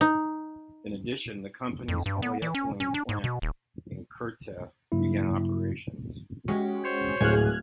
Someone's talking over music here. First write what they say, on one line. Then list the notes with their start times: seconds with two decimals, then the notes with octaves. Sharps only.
In addition, the company's polyethylene plant in Kerteh began operations.
0.01 D#4
1.88 F2
2.06 G2
2.22 B3
2.42 E3
2.55 C#4
2.80 C#4
2.94 D4
3.09 G#2
3.24 B2
3.42 D#1
4.92 G2 C#3 F#3 A#3 E4
6.48 G#3 C#4 F#4 G4
6.84 C5 C#5
7.21 D1 G#3 G#4 F6 F#6 G#6